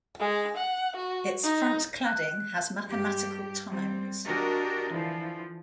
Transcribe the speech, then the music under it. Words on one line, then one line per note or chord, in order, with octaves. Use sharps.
Its front cladding has mathematical tiles.
G#3
F#5
F#4
D#4
F#6
G2 G4
G3 C4
D4 F#4 G4 A#4 D#5
D3 E3 F3